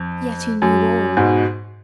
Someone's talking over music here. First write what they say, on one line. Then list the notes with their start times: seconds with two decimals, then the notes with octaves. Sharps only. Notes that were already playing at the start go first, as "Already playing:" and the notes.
Yet he knew all.
Already playing: F2
0.62 F#2
1.17 G#2 B2